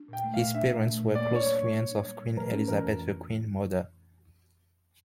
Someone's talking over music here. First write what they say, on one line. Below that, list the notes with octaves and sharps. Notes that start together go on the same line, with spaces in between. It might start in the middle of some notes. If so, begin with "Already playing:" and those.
His parents were close friends of Queen Elizabeth The Queen Mother.
Already playing: D4
A#2 G5
A3
F5
A#2
D4 E5
A#2
A3
A#2
A#3 D5
D4 C#5
G3
C#5
A#2
A#3
D4
G3
A#2
A3 A#4
C#4
E3 A#4
F2